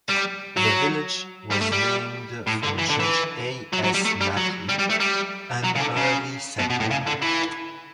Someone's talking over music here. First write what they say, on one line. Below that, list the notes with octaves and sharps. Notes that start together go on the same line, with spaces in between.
The village was named for Judge A. S. Latty, an early settler.
G3
F#3
G3
A3
G3
A2
D3
E3
D3
E3
F#3
F#3
G3
A3
G3
F#3
G3
G3
A3
G3
F#3
C#3
D3
C#3
B2
B2
A2
C#3
D3
E3